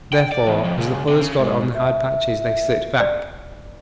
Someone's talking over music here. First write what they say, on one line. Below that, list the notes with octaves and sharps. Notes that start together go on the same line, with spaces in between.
Therefore, as the pullers got on the hard patches they slipped back.
G5
D5
E2
F2
C#2
C3
C#3
G#2
E5
E5
D5